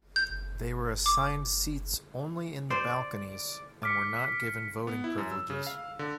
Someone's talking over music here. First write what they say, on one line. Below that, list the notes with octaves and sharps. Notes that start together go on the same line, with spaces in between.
They were assigned seats only in the balconies and were not given voting privileges.
G6
D6
C5 D5
D6 F6 B6 C#7
B3
E4
F#2
E6
C#3
F5
D3